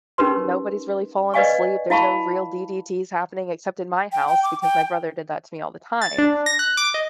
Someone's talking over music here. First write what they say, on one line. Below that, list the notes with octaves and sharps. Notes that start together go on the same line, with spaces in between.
nobody's really falling asleep, there's no real DDTs happening except in my house because my brother did that to me all the time.
C#4 D#4 G4 A#4 B4 C6
B4 D5 D#5 F5 G#5 C#6
E4 F5 A5 B5 C#6
G5
G5
D6
G5
A6
D4
A#6
F#6
D6
D#5